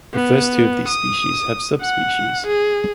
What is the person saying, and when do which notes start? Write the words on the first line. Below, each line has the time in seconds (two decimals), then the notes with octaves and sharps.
The first two of these species have subspecies.
0.14 B3
0.88 D#6
1.81 F#5
2.47 G#4